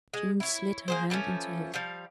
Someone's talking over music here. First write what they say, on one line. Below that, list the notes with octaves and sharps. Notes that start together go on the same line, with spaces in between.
June slid her hand into his.
G#3
E4 C#5
A#3 G#4 C5
E3 F3 A3 C#4
F3 G3 F5